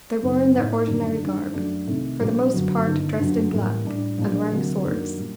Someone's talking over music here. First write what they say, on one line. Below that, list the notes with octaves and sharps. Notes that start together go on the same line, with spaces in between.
They were in their ordinary garb; for the most part dressed in black, and wearing swords.
F#1 F#2 D#3 A3 C4
A2 A3 D#4
G1 F#2 D#3 G3 D4
G2 D#3 G3 D4
F#2 F#3 A3 D4
C2 C3 D#3 A3
A#1 A#2 G3
G1 F#2 F#3
G1 G2 D#3
G1 F#2 D3 F#3
A1 A2 G3 A#3
A2 G3 D4
A#1 A#2 G3 D4
D2 C3 F#3 A#3
F#2 D#3 F#3 A#3 D4
A#2 G3